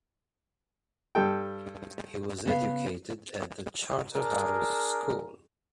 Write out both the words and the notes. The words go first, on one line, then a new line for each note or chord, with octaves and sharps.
He was educated at the Charterhouse School.
G2 A4 G5
C#3 B3 F5
D4 G#4 A#4